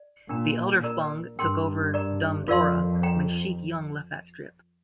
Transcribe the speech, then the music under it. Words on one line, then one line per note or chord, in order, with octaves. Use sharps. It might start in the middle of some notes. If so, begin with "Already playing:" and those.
The elder Fung took over "Dumb Dora" when Chic Young left that strip.
Already playing: D5
A#2 D4 A#4 G5 A#5
A#4 D5 A#5
G2 A#4 G5 C6
A#4 D5 A#5
F2 F4 A#4 D5 F5 C6
G5 A#5